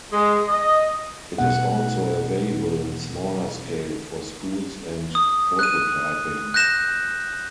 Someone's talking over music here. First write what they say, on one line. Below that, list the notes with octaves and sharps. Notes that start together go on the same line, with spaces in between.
It is also available in smaller scale for schools and prototyping.
G#3
D#5
B2 B3 F#5
D#6
F#6 D#7
F#6 G6 A#6 E7